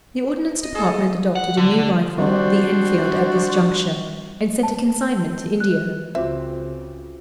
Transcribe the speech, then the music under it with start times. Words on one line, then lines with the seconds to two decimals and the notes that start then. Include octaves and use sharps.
The Ordnance Department adopted a new rifle, the Enfield, at this juncture, and sent a consignment to India.
0.63 D#5
0.75 G#4 A4
1.35 F#5
1.57 D3
2.18 G3 C4 D4 F#4 C5
4.63 A5
5.01 G6
5.60 F#6
6.15 C#2 C#3 C4 F4 F#4 E5 D6